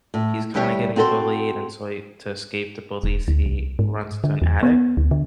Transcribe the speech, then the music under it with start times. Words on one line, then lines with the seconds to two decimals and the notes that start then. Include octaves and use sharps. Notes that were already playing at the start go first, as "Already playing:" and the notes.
he's kinda getting bullied, and so he to escape the bullies, he runs into an attic,
0.14 A2
0.54 D2 G3 E4 G4 C#5
0.96 C4 F#4 A4 B4 C5
3.04 E1
3.28 D2
3.46 C2
3.79 G#2
4.24 D3
4.42 E2
4.63 B3
4.97 D2
5.11 D3